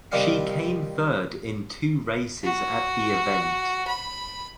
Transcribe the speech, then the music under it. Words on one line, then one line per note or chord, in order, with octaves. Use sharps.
She came third in two races at the event.
C2 D#3 G3 C4 D4 F5
F#4
B5